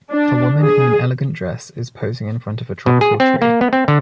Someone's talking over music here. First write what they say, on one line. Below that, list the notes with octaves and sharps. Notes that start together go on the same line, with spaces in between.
A woman in an elegant dress is posing in front of a tropical tree.
D4
G#4
B2
G#4
C4
A#3
B3
C4
D3